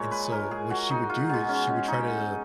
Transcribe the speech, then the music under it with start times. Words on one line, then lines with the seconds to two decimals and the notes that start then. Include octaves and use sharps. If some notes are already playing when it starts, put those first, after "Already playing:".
and, so, what she would do is she would try to
Already playing: A#2 G#3 C#5
0.11 B4
0.32 A#4
0.51 G#4
0.70 F#4
0.90 D#4
1.10 F4
1.29 B2 G#3 F#4
1.49 C#4
1.68 C#4
1.88 D#4